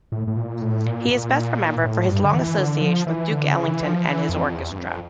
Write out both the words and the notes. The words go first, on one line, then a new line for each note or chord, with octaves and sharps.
He is best remembered for his long association with Duke Ellington and his orchestra.
A2
A2
A#2
A2
A#2
A#2
A2
G2
D3
E3
D3
F3
E3
D3
C#3
E3
F3
E3
F2
E2
G2
F2